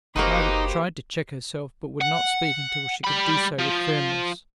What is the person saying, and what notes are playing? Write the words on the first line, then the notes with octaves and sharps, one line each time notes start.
Margaret tried to check herself, but would not speak until she could do so with firmness.
F#1 A#3 D#4 F#4 G4 B4 C5
F#5
G3 B5
F3